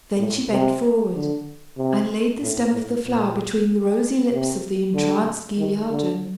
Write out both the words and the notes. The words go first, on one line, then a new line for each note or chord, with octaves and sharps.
Then she bent forward, and laid the stem of the flower between the rosy lips of the entranced Guilliadun.
A2
C3
D3
C3
A2
A2
A#2
C3
D3
D#3
D3